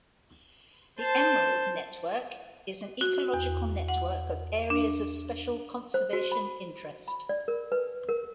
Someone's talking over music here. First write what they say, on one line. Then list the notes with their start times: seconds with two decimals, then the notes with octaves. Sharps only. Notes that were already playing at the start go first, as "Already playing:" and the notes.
The Emerald Network is an ecological network of Areas of Special Conservation Interest.
0.99 C5 A5
3.01 F#4
3.34 E2
3.88 F#5
4.70 D4
5.94 C5
6.13 F#4
6.32 B5
7.08 B5
7.29 D5
7.48 A#4
7.72 B4
8.09 A#4